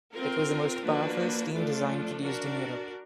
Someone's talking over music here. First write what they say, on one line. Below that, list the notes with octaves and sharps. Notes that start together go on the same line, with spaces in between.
It was the most powerful steam design produced in Europe.
C4 F4 A#4
F3 A#3 D4 F#4 B4
F3 A3 D4 F4
D4 F#4 A#4 D5